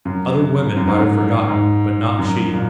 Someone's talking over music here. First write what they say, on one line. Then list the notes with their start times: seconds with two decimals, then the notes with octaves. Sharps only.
Other women might have forgotten, but not she.
0.05 F#2
0.77 F#2
0.87 G#2
1.00 F#2
1.48 G#2
2.19 F#2
2.54 A#2